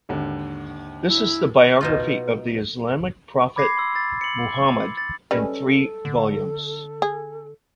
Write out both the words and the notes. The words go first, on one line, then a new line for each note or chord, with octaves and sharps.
This is the biography of the Islamic prophet Muhammad in three volumes.
G#1 D#2 D3
E4
B2 D#4 F4
B5 D6 G#6 A#6 C7
C6 E6
A6
C#7 F#7
A6
G3 G#3 C#4 A4 B4
D3
G#4